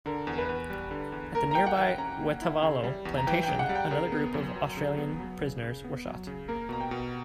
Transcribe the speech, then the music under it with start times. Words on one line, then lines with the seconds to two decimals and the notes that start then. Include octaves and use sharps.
At the nearby Waitavalo Plantation, another group of Australian prisoners were shot.
0.06 D3 A#4
0.27 E2
0.38 B4
0.49 E2
0.70 G3
0.91 D3
1.12 E2
1.35 A#3 A#4
1.51 A#5
1.55 E4 G5
1.66 F#5
1.77 E3 G5
1.98 C#4 A#5
2.20 A#3
2.42 E4
2.62 C#3
2.84 G3
3.05 E2
3.17 A#5
3.27 E3 G5
3.43 G5
3.48 C#3
3.59 F#5
3.69 G3
3.75 G5
3.91 C#3 A#4
4.12 B3
4.34 F#2
4.56 F#3
4.77 C#3
4.98 B3
5.20 F#3
5.41 C#3
5.62 C#3
5.84 B3
6.06 F#3
6.27 C#3
6.48 A#3 A#4
6.69 B2 A#5
6.80 G5
6.91 B2